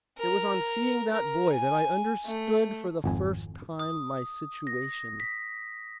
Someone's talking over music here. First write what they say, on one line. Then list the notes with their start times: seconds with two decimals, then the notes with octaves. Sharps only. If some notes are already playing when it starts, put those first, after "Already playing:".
It was on seeing that boy that I understood, for the first time, my situation.
0.18 A#4
1.13 A#4
1.53 G#5
2.26 A3
3.04 G#1 F2 G#5
3.79 D#6
4.67 A#6
5.20 B6